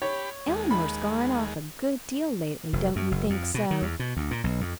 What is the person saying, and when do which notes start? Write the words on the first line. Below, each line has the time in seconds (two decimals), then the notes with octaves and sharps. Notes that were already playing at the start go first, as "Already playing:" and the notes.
Eleanor's gone off a good deal lately, don't you think so?
0.02 G4 C#5 B5
0.48 D#2 G#3
0.71 B5
2.73 F1
2.96 F#2
3.11 F#1
3.30 F2
3.54 B2
3.71 D#3
3.82 E2
3.99 B2
4.17 D2
4.31 A#2
4.44 B1
4.61 F2